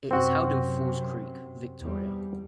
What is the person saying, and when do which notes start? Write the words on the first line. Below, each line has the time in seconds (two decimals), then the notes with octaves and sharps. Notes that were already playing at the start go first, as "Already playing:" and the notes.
It is held in Falls Creek, Victoria.
0.11 F#2 C3 C4 F#4
1.82 E2 G3